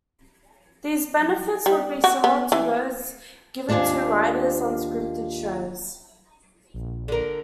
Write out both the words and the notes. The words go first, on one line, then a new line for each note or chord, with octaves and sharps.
These benefits would be similar to those given to writers on scripted shows.
G3
F#4
B3
E3
D#2 D4 F4 C5 G#5
A#1
D3 A#4